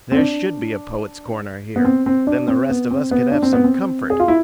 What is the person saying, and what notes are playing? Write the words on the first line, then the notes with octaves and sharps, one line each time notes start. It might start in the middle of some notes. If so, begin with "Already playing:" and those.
There should be a Poets' Corner here. Then the rest of us could have some comfort.
C4
D4
B3
C4
C4
D4
C4
B3
C4
B3
D4
C4
B3
C4
G#4
F4
E4